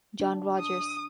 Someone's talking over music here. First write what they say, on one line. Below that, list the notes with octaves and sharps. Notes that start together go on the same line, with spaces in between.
John Rogers.
D4
D#6